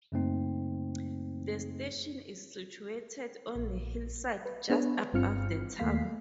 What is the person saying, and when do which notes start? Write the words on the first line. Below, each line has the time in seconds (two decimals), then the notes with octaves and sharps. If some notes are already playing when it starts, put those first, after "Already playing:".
The station is situated on the hillside just above the town.
0.12 F#2 C#3 A3 A#3 C4 D#4
3.56 A#1
4.46 B4
4.70 B3 D4 G#4 B4 C#5
5.13 G1 G2 C4 F4 F6 C#7
5.78 D#2 A3 A#3 F5 B6 C7